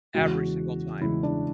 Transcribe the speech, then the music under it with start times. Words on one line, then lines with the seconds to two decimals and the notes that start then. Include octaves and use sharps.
every single time.
0.14 E2 C#3 E3 G#3 F#4
1.01 E2 C#3 E3 G#3 E4
1.23 D4